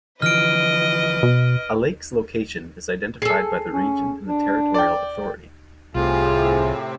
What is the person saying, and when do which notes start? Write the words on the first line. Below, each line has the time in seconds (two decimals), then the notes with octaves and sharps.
A lake's location is identified by the region and the territorial authority.
0.22 D3 E3 F3 B4 D#5 F6 D7
1.23 B2
3.22 G#4 A4 C7
3.72 C#4
4.26 D4
4.74 D5 G5
5.95 C2 A2 C3 C4 F4 G#4